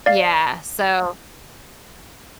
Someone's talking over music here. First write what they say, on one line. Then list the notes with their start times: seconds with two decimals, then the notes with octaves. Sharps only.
Yeah, so
0.06 D5 F5